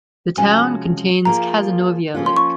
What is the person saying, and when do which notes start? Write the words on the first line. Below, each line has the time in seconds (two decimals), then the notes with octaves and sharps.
The Town contains Cazenovia Lake.
0.37 C3 F3 G#3 C#4 F#4 G#5
1.25 F3 A#3 F4 G#4 A#5
2.14 F3 A#3 C#4 F4
2.26 C6
2.36 C#6